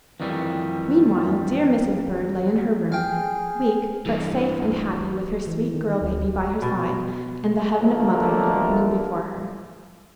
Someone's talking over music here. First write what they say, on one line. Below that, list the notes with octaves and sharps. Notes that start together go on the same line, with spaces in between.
Meanwhile dear Mrs. Bird lay in her room, weak, but safe and happy with her sweet girl baby by her side and the heaven of motherhood opening before her.
F2 D#3 E3 G3
G#4 F5 G5
G2 E3
E3
D#3
D2
B2
B2 D3 F3 A3 A#3